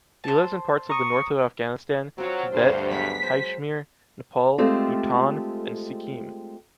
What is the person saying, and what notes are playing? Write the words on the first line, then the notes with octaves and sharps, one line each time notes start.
He lives in parts of the north of Afghanistan, Tibet, Caixmir, Nepal, Bhutan and Sikkim.
C5 A5
A#5 C#6 D#6
F#3 C4 F4 F5
D2 G2 C5
F#3 G#3 B3 B6
C5
G#3 A3 C4 F4 G4